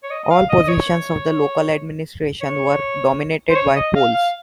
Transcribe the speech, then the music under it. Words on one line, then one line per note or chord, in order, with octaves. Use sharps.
All positions of the local administration were dominated by Poles.
C#5
D#5
D#5
F5
D#5
D#5
C#5
C#5
C5
C#5
D#5
F5
F5